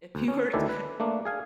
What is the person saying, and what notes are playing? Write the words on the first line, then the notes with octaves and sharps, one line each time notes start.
If you were to
D2
C#4
D2 D#3 E4 A4 D5 G#5
B4
A3 A#3 D4
G#4 F5 G#5